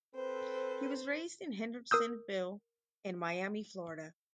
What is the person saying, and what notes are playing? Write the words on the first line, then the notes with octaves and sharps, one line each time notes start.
He was raised in Hendersonville and Miami, Florida.
C4 A4 B4 C5
A#4 D#6 E6 G6